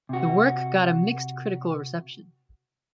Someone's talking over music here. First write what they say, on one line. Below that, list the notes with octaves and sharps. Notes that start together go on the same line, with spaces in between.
The work got a mixed critical reception.
C3 F#4